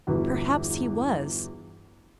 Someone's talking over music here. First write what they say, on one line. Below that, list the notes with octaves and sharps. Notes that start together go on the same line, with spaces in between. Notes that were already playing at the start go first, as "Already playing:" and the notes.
'Perhaps he was.
G1 E2 F#4